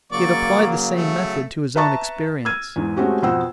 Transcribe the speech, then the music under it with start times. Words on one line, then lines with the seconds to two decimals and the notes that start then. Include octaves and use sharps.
He had applied the same method to his own experience.
0.12 C#3 F#3 A#3 D5 C#6
0.93 A3
1.76 B4 E5 A5 A#5 C#6 A6
2.45 E6 F6 G#6 D#7
2.76 E2 G#2
2.97 G#3 A3 C4 C#4 F#4 G4
3.23 F2 B2 C5 F#5 G5 E6